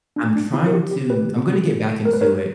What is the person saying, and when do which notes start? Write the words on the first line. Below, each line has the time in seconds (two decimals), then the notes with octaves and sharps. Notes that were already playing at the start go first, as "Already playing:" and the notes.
I'm trying to I'm gonna get back into it,
0.16 D4
0.36 D4
0.54 E4
0.66 A#4
0.73 G4
0.91 G4
1.10 G4 B4
2.05 A#4
2.13 B4
2.21 A#4 C#5